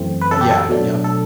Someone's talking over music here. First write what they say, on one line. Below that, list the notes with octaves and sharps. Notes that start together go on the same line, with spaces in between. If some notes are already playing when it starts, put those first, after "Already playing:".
Uh, yeah. Yep.
Already playing: F#2 E3 A3 C4
B4
A4
G4
A4
B2 F#3 A3 D4
A4